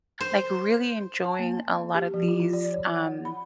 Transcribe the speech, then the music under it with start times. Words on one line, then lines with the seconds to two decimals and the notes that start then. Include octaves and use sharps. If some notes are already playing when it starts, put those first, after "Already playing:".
Like, really enjoying a lot of these, um,
0.21 C5
1.24 A5
1.39 A#3
1.95 G4
2.14 F3
2.28 F4
2.40 F4
2.53 D5
2.72 C#5
2.96 F#5
3.25 B5